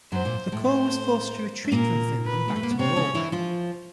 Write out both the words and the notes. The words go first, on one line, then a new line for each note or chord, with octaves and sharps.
The corps was forced to retreat from Finland back to Norway.
F#2 F#3 C5
A#2 A#3
A2 A3
C5
A3
A#2 A#3 A#4
B4
G#3
A3
A#3
B3
C3 C4 C#5
C#3 C#4
E3 E4
F3 F4